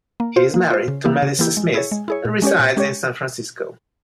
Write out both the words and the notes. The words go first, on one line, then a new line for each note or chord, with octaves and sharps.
He is married to Melissa Smith and resides in San Francisco.
A#3
F4 C5
A#3
F4 C5
C#3
E3 A#3 E4 G4
C#3
E3 A#3 E4 G4
G#3
E4 G#4 C#5
G#3
E4 G#4 C#5
A#2
G#3 C#4 G4 C#5
A#2
G#3 C#4 G4 C#5